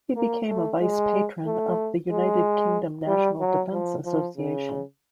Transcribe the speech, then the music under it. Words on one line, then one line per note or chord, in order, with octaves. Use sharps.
He became a vice-patron of the United Kingdom National Defence Association.
A#3
A3
G#3
A3
G#3
G3
F#3
F3
F3
C#3